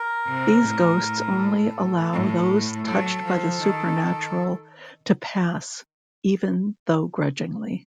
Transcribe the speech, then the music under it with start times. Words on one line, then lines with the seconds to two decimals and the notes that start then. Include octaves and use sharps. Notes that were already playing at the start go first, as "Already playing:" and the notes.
These ghosts only allow those touched by the supernatural to pass, even though grudgingly.
Already playing: A#4
0.26 C3
0.64 A2
1.38 A4
2.13 A2
2.87 F#3 A4
3.24 F3
3.61 D#3